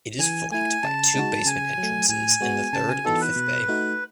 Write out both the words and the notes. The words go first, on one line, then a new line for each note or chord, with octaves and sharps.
It is flanked by two basement entrances in the third and fifth bay.
E3 G#5
A3 E4 G#5
C#3 A5
G#3 D#4 F#4
C#3 G#5
F#3 A3
A2 G#5
G#3 B3 F#4
C#3 A5
G#5
E3 B3 D#4 F#4 A4
B4
B2
A3 D#4 F#4